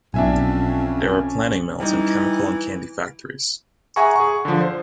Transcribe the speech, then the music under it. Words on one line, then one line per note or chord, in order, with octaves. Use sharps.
There were planing mills, and chemical and candy factories.
B1 F2 C#4 D4 E5 G#5
E3 G3 D#4
G#4 E5 F#5 G#5 A#5 C#6
G#4 C#6
D3 F3
C5